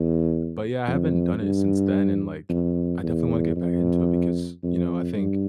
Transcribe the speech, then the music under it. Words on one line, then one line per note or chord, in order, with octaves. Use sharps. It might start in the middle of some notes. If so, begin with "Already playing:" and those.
But, yeah, I haven't done it since then, and, like, I definitely wanna get back into it because, you know, I think
Already playing: E2
F2
G2
F2
E2
F2
F2
G2